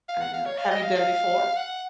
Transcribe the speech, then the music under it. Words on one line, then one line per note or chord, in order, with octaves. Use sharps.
I know. Have you been before?
F5
F#5
F5
C#5
F5
D#5
F5
F5
F#5